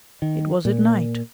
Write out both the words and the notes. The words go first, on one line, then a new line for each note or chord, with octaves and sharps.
It was at night.
D#3
A#2